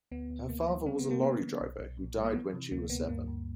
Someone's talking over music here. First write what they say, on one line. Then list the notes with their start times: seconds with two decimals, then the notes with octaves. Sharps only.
Her father was a lorry driver, who died when she was seven.
0.11 D2 B3
0.30 D2
0.49 D2 A#3
0.68 G3
0.86 D3 C4
0.99 B3
1.05 G3
1.11 A#3
1.23 D3 B3
1.42 D3
1.60 B1
1.79 B1
1.97 A#2
2.16 G3
2.25 A#3
2.34 E3 B3
2.53 C3
2.71 D2 A#3
2.90 D2 B3
3.08 G2 A#3
3.27 G2